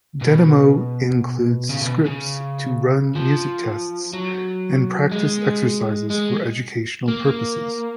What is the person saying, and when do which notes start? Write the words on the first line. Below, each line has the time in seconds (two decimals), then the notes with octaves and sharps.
Denemo includes scripts to run music tests and practice exercises for educational purposes.
0.22 B2
1.69 C#3
1.81 B2
2.06 C#3
3.15 F3
4.13 F#3
5.12 G#3
6.10 G#3
7.08 A#3